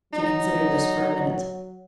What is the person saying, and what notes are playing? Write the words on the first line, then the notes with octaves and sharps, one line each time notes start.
She considered this for a minute.
F#3 D#4